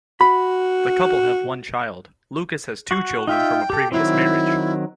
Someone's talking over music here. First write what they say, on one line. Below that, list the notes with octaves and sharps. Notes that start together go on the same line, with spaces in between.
The couple have one child; Lucas has two children from a previous marriage.
F#4 B5
F#4 C#6
D#4 F4 E5 G5
G4 A4
D#3 F#3 C4 E4